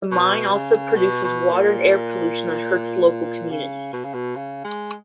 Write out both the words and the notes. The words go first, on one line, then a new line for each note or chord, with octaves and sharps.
The mine also produces water and air pollution that hurts local communities.
B2
C#3
B2
B2
A#2
C#3
B2
C#3
B2
C#3
G#3